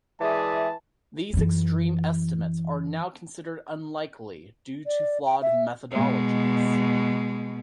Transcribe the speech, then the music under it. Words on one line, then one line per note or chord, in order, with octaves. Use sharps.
These extreme estimates are now considered unlikely due to flawed methodologies.
E3 G#3 G#4 D5 E5 A5
F#2 E3
D5
G5
E5
B2 G#3